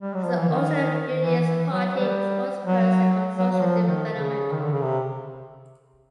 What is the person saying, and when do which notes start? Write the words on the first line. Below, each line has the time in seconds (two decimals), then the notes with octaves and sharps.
He is the Ulster Unionist Party spokesperson on Social Development.
0.02 G3
0.14 F#3
0.25 F3
0.38 E3
0.50 D#3
1.22 E3
1.46 E3
1.70 F#3
1.94 G3
2.66 F#3
3.38 F#3
3.52 F#3
3.62 F3
3.86 D#3
4.11 C#3
4.52 D#3
4.62 D3
4.72 C#3
4.82 C3